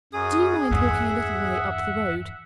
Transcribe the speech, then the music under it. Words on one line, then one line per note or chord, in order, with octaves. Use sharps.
Do you mind walking a little way up the road?
F#2 G#4 D#6
E2 G2 E5 F#5